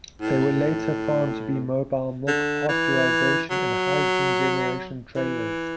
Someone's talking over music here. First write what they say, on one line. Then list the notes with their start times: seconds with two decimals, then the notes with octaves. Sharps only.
They were later found to be mobile milk pasteurization and hydrogen generation trailers.
0.22 A2
2.27 D3
2.69 E3
3.51 F#3
5.16 E3